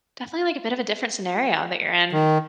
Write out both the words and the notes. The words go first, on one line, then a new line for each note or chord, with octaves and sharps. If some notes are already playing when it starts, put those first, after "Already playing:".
definitely, like, a bit of a different scenario that you're in,
D#3